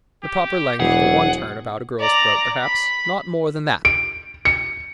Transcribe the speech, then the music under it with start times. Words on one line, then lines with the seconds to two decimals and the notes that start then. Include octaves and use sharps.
The proper length for one turn about a girl’s throat, perhaps; not more than that!
0.23 G4
0.80 E1 E3 F#3 G#4 F#5
2.00 D5 A#5
2.63 B5
3.85 D7
4.45 C#7